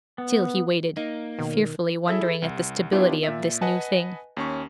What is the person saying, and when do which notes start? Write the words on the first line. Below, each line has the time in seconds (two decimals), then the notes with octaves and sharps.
Still he waited, fearfully wondering at the stability of this new thing.
0.18 B3
0.97 A#3 D#4
1.39 B2 D#3
2.08 E4 G#4 A4 E5
2.42 C2
2.92 B3 D4 E4 F4 G4 C#5
3.23 A#2 E5
3.61 B4 D#5 F#5 G#5 A5
4.37 D#2 C#4 C#6